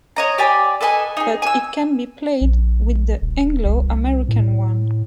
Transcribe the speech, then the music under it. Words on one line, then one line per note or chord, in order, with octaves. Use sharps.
But, it can be played with the Anglo-American one.
C#5 D#5 A#5
G4 D5 G#5 B5
A4 B4 D#5 G#5
D#4 G#4
G#5 E6
A#1
D#1
C2
A2